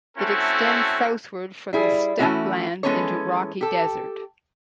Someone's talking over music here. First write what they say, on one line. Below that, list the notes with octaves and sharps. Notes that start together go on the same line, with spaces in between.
It extends southward from the steppe lands into rocky desert.
A3 C4 C#4 E4 F#4 A4
G3 E4 G#4
E3 A3 C4 C#4 E4 F#4
E3 G#3 B3 C#4 A4 C#5
G4 A4